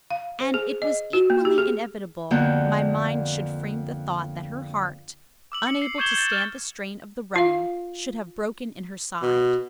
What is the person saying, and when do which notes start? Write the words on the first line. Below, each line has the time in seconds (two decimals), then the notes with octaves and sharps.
And it was equally inevitable my mind should frame the thought that her heart, unable to stand the strain of the running, should have broken in her side.
0.11 F5
0.40 C5
0.54 G#4
0.82 D#5
1.13 F#4
1.30 A#3
1.45 G4
1.58 G#4
2.31 F2 D3 A#3 B3 F#5 G6
5.52 D6 E6 F#7
5.67 C#7
5.82 C7
5.98 C#6 D6 G6 G#6 E7 G7
6.17 G6 A6 E7
6.32 F6 A6
7.36 F4 F5
9.22 B2